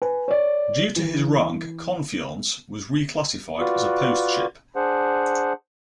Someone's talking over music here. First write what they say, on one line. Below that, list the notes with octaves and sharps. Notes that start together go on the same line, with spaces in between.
Due to his rank, "Confiance" was reclassified as a post-ship.
B4 G#5
C#5 D5
E3
F4 F#4 B4 D5
D4 G#4 C5 F#5